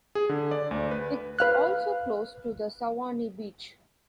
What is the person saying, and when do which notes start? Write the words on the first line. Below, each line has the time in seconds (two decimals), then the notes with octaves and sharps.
It's also close to the Souani Beach.
0.15 G#4
0.29 D3
0.51 D5
0.71 D2
0.91 B4
1.39 B4 F5 F#6